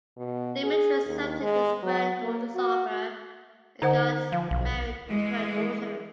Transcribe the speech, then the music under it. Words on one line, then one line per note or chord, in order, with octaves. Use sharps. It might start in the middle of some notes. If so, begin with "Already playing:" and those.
Demetrius accepted his granddaughter’s offer and got married to her daughter.
B2
G#4
D#2
G#3
F#3
A#3
F#4
D3 D#4 C5 F#5
F3 F5
B1
E3 G#3 G#4